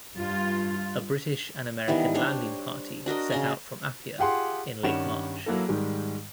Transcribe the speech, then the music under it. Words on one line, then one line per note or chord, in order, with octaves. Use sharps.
A British and American landing party set out from Apia in late March.
G2 F4
D#3 E3 G3 B3
D4 C5 C#5
D4 F#4 A#4 D#5
C#3 D#5 G#5
F4 G4 G#4 F#5 C6
G2 D#3 G3 C#4 F#5 E7
F#3 A#3 E4 A4
G#2 D#3 G3 G#3